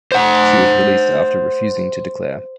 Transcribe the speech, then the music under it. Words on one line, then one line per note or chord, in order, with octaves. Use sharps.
She was released after refusing to declare.
C5 F#5